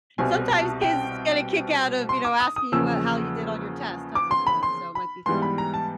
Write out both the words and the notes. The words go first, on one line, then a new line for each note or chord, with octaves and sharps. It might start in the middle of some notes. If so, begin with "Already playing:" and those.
sometimes kids get a kick out of, you know, asking you wh how you did on your test type of thing, so it might be fun.
C2 B2 G3 C4 G#5
A5
G5
C6
D6
D#6
D#6
E2 C#3 F3 A#3 C#4 E6
D6
C6
B5
C6
B5
G#2 E3 G3 B3 C6
B5
A#5
A5